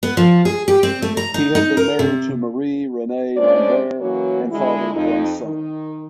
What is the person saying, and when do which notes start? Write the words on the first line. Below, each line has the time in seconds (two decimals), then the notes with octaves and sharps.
He had been married to Marie Reine Lambert and fathered one son.
0.03 B3
0.17 F3
0.45 G#4
0.68 G4
0.83 C4
1.02 A3
1.17 A#5
1.34 D#4
1.55 D#4
1.77 A#4
1.99 C3
3.36 G#3 C#4 D4 C5 D5
4.00 E3 F#3 A#3 C#4 F#4 C#5
4.51 D3 G#3 E4
4.94 F2 D#4
5.43 D#3